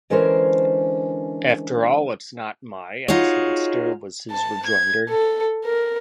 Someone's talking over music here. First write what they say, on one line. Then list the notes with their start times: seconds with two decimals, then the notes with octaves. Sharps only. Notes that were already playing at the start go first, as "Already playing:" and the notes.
"After all, it's not my Axminster," was his rejoinder.
0.10 D3 E3 G#3 C#4 A#4 C5
3.08 D#4 F4 F#4 G#4 C#5
4.32 A5
4.66 G#6
5.09 A4
5.65 A#4